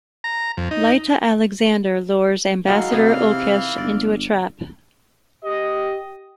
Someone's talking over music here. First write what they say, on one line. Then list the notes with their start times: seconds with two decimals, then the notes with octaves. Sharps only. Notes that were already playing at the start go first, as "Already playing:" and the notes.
Lyta Alexander lures Ambassador Ulkesh into a trap.
0.24 A#5
0.57 F2
0.71 D#4
2.67 E3 F#3 G#3 D#4 F5 F6
2.90 C3 B3 G4 G#4
3.78 G1 D5
5.45 G4 D#5